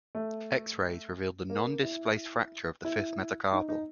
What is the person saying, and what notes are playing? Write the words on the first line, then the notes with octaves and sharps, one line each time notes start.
X-rays revealed a non-displaced fracture of the fifth metacarpal.
A3
A#3
E4
E4
D#4
D#4